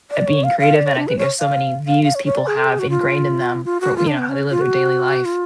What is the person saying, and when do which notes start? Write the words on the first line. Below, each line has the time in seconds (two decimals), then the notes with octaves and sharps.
at being creative and I think there's so many views people have ingrained in them for, you know, how they live their daily life.
0.11 D5
0.27 C#5
0.44 F5
0.60 F5
0.75 D5
0.86 C#5
0.97 D4
1.08 B4
1.18 C#5
1.40 F5
1.87 F5
2.04 F5
2.15 C#5
2.25 C#5
2.36 D5
2.47 G#4
2.57 A4
2.69 G#4
2.79 F#4
2.90 F4
3.65 F4
3.81 F#4
3.97 F4
4.07 D4
4.18 B3
4.29 C#4
4.51 F4
4.61 F#4
5.25 F4